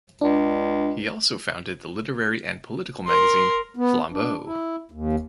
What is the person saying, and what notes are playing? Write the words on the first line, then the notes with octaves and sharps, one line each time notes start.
He also founded the literary and political magazine "Flambeau".
C#2 D4
A#4 C6
B3
D4
E4
D#2